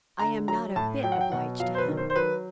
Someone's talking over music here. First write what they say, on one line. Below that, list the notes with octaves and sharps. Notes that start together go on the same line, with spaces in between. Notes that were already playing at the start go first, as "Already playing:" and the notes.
I am not a bit obliged to him.
D3 A#5
F#3 A#5
A2 A5
F#3 G5
F#5
G5
B2 F#5
F#3 F5
C5
B4
D#3
C5
C5
F#3 B4